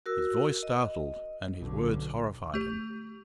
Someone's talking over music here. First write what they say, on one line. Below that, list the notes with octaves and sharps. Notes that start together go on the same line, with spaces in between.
His voice startled and his words horrified him.
F#4 A#4 E6
D#5
B1 D3
A3 G4